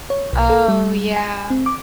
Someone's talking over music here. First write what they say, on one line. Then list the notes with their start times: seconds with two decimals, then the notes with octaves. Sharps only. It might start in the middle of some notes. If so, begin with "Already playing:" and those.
Oh, yeah.
0.10 C#5
0.33 B1
0.50 A4
0.68 G3
1.16 G#5
1.50 C4
1.66 D6